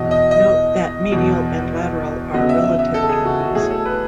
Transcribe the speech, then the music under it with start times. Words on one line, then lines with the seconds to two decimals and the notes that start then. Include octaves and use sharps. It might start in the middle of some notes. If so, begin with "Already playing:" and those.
Note that medial and lateral are relative terms.
Already playing: E2 B2 F#3 D#5
0.11 D#5
0.31 D#5
1.12 E2 B2 F#3
2.34 C#3 F#3 B3 D#5
2.49 E5
2.64 E5
2.79 E5
2.94 A4
3.09 G#4
3.25 F#4
3.40 F#4
3.55 A2 F#3 A3 G#4
3.71 A4
3.85 B4